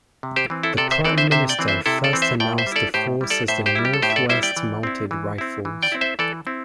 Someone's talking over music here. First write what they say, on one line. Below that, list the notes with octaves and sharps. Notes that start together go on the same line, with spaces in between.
The Prime Minister first announced the force as the "North West Mounted Rifles".
C3
G4 C5
E3 C4
E4 A4
C3 A4 D5
C5 E5
E3 C4 A4 D5
C5 E5
C3 C5 E5
D5 G5
E3 C4
C5 E5
C3 E4 A4
A4 D5
E3 C4
C5 E5
A2 D5 G5
C5 E5
G3
E4 A4 D5
A2 G4 C5
G3 E4
A4 D5
A2 C5 E5
G4 C5
G3 E4
G4
A4
A2 G4 C5
E5
A4 D5
G3 E4 C5 E5
D5 G5
E3
C4 E4
E3
C4 E4
E3
D5 G5
C4 E4
C5 E5
E3 A4 D5
C4 E4